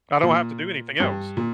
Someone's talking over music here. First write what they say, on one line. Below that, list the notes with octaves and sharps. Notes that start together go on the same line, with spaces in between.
I don't have to do anything else.
A#2
G2
A#2